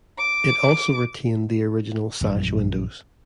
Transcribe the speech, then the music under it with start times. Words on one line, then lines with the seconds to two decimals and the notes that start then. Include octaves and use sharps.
It also retained the original sash windows.
0.17 D6
2.21 A#1 F#2 E3 G3